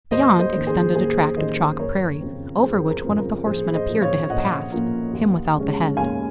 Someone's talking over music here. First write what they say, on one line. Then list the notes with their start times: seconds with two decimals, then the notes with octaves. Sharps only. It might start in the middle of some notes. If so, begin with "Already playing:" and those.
Beyond, extended a tract of chalk prairie; over which one of the horsemen appeared to have passed--him without the head.
0.11 D#2 C5 D#5
0.39 C5 D#5
0.53 D#3 A#3 C#4
0.67 G#4 C5
0.95 D#2 G#4 C5
1.37 D#3 A#3 C#4 C5 D#5
1.78 F#1 A#4 C#5
2.21 F2 C#3 F3 C4
2.62 F#1 G#4 C5
2.90 A#4
3.04 F2 C#3 F3 C4
3.18 A#4
3.46 A#1 G#4 C5
3.73 C5 D#5
3.88 A#2 F3 A#3 C#4
4.02 C#5 F5
4.29 A#1 D#5 F#5
4.72 A#2 F3 A#3 C#4
5.13 D#2
5.55 C#3 G#3 C#4
5.97 D#2 F5 G#5